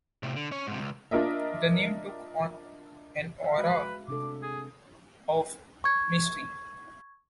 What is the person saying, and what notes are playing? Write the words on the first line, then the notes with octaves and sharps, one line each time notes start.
The name took on an aura of mystery.
A2 C3
D3
C#4 C#5
G#2 C3
C#2
D4 F4 A#4 D#5 E5
E5 F5
G#3 F#4 B4
C3 D4 A4 D6
G#4
C#6 G#6